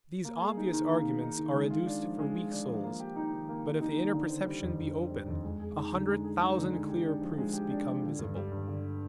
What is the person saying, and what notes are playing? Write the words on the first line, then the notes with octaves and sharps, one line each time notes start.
These obvious arguments are adduced for weak souls; but if the inner perception be open, a hundred thousand clear proofs become visible.
A#3
G#4
D#4
D#3
A#3
G#4
D#4
D#3
G#3
F4
D4
F3
G#3
F4
D4
F3
A#3
G4
D#4
D#3
A#3
G4
D#4
D#3
D3
C4
G3
F2
D3
C4
G3
F2
G#3
G#4
D#4
D3
G#3
G#4
D#4
D3
G#3
G4
D4
F3
G#3
G4
D4
F3
D3
G2
G3
G2
D3